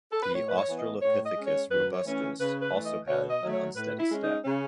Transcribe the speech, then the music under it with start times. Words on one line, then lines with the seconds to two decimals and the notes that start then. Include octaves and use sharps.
The Australopithecus Robustus also had an unsteady step.
0.12 A4
0.22 B4
0.33 A2 C#5
0.49 B4
0.57 C#5
0.67 E3 B3
0.79 D#5
1.01 A2 C#5
1.25 D#5
1.36 G#3 C#4
1.47 C#5
1.70 F#2 B4
1.94 C#5
2.04 E3 A3 C#4
2.39 C#3 B4
2.62 B4
2.73 E3 A3
2.85 D#5
3.08 B2 C#5
3.30 D#5
3.42 F#3 A3
3.53 C#5
3.76 A2 B4
3.99 E4
4.10 G#3 C#4
4.22 D#4
4.45 C#3 C#4